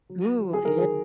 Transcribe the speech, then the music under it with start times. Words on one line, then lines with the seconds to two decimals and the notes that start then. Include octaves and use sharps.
Ooh, yea
0.10 F#3
0.39 F#3
0.53 G#4
0.65 D#3 A#4
0.79 G#4